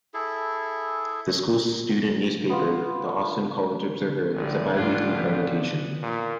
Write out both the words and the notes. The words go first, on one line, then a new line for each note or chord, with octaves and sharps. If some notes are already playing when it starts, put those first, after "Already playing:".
The school's student newspaper, the Austin College "Observer", is a bi-weekly publication.
E4 G#4 A4
B3 F4
A1 D3
G#2 A3 D4 F4 F#6 G#6
F3 G6 B6
B3 F4
A#2